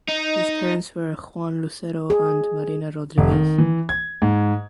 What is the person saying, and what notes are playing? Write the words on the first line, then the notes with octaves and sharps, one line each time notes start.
His parents were Juan Lucero and Marina Rodriguez.
D#4
G#4
F1
D#3
E3
G#6
G#2